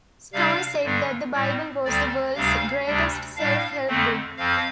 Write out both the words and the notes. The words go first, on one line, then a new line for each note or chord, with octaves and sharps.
Stone said that the Bible was "the world's greatest self-help book".
C3 G3 D4 F5
G2 D3 G3 D4
A2 G3 C4
D2 D3 G3 C4 D5
D2 C3 G3 D4 F5
D2 C3 G3 D4
A2 G3 D4 F5
F2 D3 A3 C4
F2 F3 C4 F5